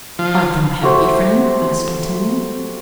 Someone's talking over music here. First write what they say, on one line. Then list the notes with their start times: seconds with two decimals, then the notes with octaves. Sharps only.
"Art thou happy, friend?" asked D'Artagnan.
0.19 F3
0.82 A3 F#4 G4 C5